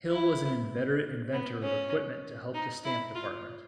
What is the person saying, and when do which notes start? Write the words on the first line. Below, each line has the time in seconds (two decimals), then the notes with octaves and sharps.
Hill was an inveterate inventor of equipment to help the stamp department.
0.11 E4
1.33 B3
1.63 C#4
2.54 D#4
2.85 E4
3.15 F4